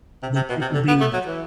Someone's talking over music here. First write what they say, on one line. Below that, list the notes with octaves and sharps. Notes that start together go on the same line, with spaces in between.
the worker bees.
C3
C3
B2
C3
D3
B3
A3
F#3
E3